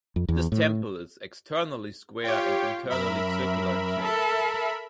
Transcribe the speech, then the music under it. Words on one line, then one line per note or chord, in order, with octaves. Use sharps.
This temple is externally square and internally circular in shape.
F2
E2
A2
F4 G4 C#5 G5
F#2 A#4 E5 B5
A4